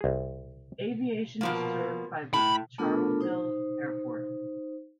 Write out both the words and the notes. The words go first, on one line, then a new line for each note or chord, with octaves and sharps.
Aviation is served by the Charleville Airport.
C2 G#4
B2 F3 A#3
A2 B5
A3 B3 D4 F4 A4 A#4
D#4 C5